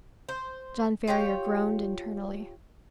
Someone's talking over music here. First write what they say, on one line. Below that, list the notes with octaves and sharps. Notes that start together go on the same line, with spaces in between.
John Ferrier groaned internally.
C5
F4 G4 C#5 G5